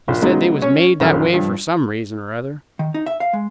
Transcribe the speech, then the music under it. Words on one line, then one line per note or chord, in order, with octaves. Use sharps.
He said they was made that way for some reason or other.
A#1
C#3 F#3 G#3 B3 D#4
C#4 C#5
A#1 F#2 D#3 F3 F6
G2 F3
D#3
D#4
E5
F5
G#3